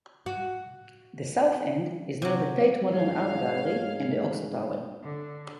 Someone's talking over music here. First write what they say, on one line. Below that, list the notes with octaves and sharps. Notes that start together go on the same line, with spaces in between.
The south end is near the Tate Modern art gallery and the Oxo Tower.
F#4
C3 F#3
G#2 C#5 F5
D3